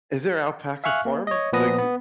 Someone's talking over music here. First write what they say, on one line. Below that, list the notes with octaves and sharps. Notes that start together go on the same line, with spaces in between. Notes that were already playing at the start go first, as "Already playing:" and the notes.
Is there a alpaca farm, like, uh,
E5 F5 G#5 C#6 F6 F#6
A#3
C#5 D#5
A#2 F3 B3 B4 D#6 A#6
B3